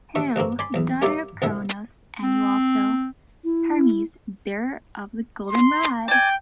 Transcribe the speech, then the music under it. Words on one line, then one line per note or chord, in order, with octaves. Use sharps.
Hail, Daughter of Cronos, and you also, Hermes, bearer of the golden rod!
D#2 E5 C#6
D2 G2 A#3 C4
D5 G#5 B5 C6
B1 E2
G3 A#3 G4 C#5 D5 E5
C2 G#2 D3 G#4 E5
C4
E4
C6
D5 G5 G#5